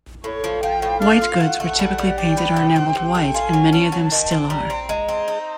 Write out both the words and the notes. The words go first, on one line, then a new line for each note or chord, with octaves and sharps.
White goods were typically painted or enameled white, and many of them still are.
A2 C#5
F3
F3 G5
A2
D4 F5
F4
A3 F#5
A3
G3
G3
D4 G5
B3
C3
C4
C3
A3
F4 G#5
F#3
C#4 A5
F#3
D#3
C4
G3 A#5
C4
G#3 A#5
C4
D#4